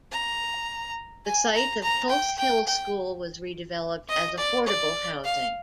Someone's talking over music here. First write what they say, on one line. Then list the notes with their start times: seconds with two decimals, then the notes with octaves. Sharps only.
The site of Tulse Hill school was redeveloped as affordable housing.
0.12 A#5
1.25 G#5
1.53 A#5
1.82 A#5
2.10 G5
2.38 G5
2.67 G5
4.09 D#5
4.38 D5
4.66 D5
5.24 F5